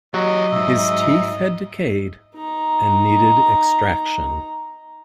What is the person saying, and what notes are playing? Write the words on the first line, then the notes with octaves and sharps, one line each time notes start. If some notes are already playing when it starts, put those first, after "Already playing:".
His teeth had decayed and needed extraction.
F#3 G4 C#5 D#5
B1 G#2 E5
D#4 A#5